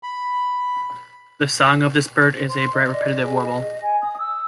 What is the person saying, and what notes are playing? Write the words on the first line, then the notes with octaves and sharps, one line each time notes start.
The song of this bird is a bright repetitive warble.
B5
C5
C6
D#5
D5
D#5
G#4
D#5
D#5
G#5
D#6
E6